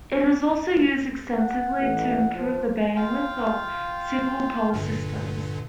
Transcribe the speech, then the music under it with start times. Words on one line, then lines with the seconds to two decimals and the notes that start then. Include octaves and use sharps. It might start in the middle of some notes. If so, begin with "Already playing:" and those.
It is also used extensively to improve the bandwidth of single pole systems.
1.36 F#5
1.78 A1
2.34 F3
2.96 F4 F5 G5
4.73 G2 A#2 D3